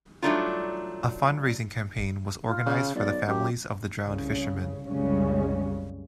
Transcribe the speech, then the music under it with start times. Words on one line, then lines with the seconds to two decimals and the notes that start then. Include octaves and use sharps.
A fundraising campaign was organised for the families of the drowned fishermen.
0.22 F#3 G3 A3 D4 D#4 F4
2.47 F4
2.66 C#3
2.95 B1 D5
3.28 F#2 G4
4.04 C2 C#3
4.86 C2 F#2 C#3 G3 G#3 C#4